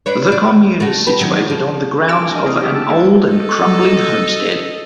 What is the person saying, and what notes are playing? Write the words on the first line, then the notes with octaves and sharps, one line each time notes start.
The commune is situated on the grounds of an old and crumbling homestead.
D4 B4 C#5
D5
A3 F#4
G4 B4
D#3 F#3
F3
C3 F#4 A4 G#5 D6 E6
D4 A#4 D#5 F6
A#3 C4 E4 D#6 F6
F3 A3 G4 D#5
A5 E6
G#3 F#4 C5 G#6
A4 D#5